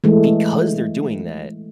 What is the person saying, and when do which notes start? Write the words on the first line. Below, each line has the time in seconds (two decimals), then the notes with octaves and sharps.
because they're doing that,
0.04 E3 G#3 A3